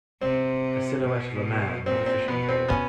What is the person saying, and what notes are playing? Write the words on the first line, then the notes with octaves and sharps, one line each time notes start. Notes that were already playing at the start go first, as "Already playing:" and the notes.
A silhouette of a man with a fishing pole.
C3 C4
B2
A#2 C4
C4
B2 B3
C4
B3 C#4